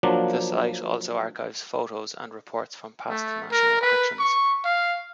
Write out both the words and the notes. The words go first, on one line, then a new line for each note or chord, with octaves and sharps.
The site also archives photos and reports from past national actions.
F3 F#3 A#3 D4
A3
A#4
B4
C#6
F5